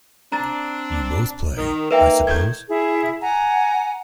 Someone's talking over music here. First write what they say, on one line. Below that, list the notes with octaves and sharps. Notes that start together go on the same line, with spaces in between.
You both play, I suppose?
C4 D4 A#5 A6
D#3
D#3 A#3 B4 E5 G5
A2 D#3 E3 G6 G#6
E4 G#4
F#5 G#5 A#5